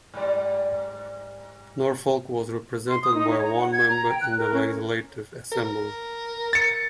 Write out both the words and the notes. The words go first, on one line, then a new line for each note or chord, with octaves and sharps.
Norfolk was represented by one member in the Legislative Assembly.
G#2 G3 D5
C6
D#6
D#4
C#5
A#5
F#5
G#6
A#5
G5
F#6
A#4
C#4
A#4
A6 C#7